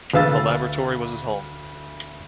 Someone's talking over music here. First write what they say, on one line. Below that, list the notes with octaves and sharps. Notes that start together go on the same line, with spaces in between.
The laboratory was his home.
D2 B4 F5 E6 A6